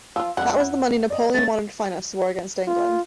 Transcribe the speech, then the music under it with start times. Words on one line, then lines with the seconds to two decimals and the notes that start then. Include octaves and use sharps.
That was the money Napoleon wanted to finance his war against England.
0.16 F3 F4 E6
0.37 F2 D3 F3 G#3 F#5
0.60 E4
1.10 D5 D#5
1.34 A3 C#4 A6
2.67 F4